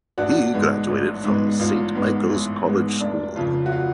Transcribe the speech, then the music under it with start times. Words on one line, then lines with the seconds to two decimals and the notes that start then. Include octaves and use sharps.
He graduated from Saint Michael's College School.
0.18 A1 D4 F#4
0.53 G#2 G#3 B3
0.89 A1
1.24 G#2 G#3 B3
1.59 A1 F4
1.95 G#2 G#3 B3
2.30 A1
2.65 G#2 G#3 B3
3.01 F1 D4
3.36 F2 C#3 F3 F4
3.66 F#4
3.72 F4